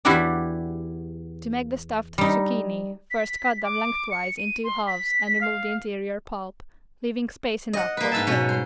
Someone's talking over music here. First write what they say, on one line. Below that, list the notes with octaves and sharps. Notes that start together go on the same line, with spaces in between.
To make the stuffed zucchini first cut them lengthwise in two halves and remove the interior pulp, leaving space enough for the filling.
E2 E3 E4 F#4 G4 D5
G3 D#4
B6
D6
C#7
D#7
C6
B6
F5
D#5 F#5
A#3 B4
G#2 B4 E5 A5
B2 C#4
C5